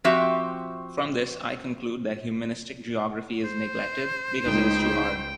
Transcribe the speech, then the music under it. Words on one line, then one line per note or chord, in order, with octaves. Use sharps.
From this, I conclude that humanistic geography is neglected because it is too hard.
F3 C4 F#4 G4 E5
C5
C#2 D#4 G5